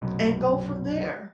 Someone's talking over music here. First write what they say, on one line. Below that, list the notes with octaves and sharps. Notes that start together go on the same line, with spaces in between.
And go from there.
F1 B1 F#2 B2